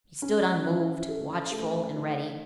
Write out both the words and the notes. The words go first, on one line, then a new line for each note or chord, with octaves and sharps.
He stood unmoved, watchful and ready.
C#4
E4
A4
A3
D#4